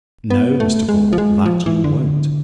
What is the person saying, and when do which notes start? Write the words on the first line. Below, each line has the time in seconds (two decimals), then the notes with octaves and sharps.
No, Mr. Caudle, that you won't.
0.30 B3
0.60 A3
0.89 G#3
1.13 F3
1.18 G#3
1.46 F3
1.66 E3
1.84 D3